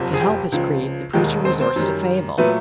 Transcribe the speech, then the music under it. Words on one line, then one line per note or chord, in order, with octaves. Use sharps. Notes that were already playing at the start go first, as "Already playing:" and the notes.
To help his creed, the preacher resorts to fable.
Already playing: F#1 F2 C3
G#4
G4
C#2 C#3 F3
E1 D#2 D#3 G#3 G4
C4 C5
C4 C5
F#2 D#3 G3
A#2 F#3 A3 B3 B4